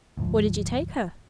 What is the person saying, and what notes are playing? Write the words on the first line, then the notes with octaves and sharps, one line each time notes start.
'What did you take her?'
D2 G#2 F3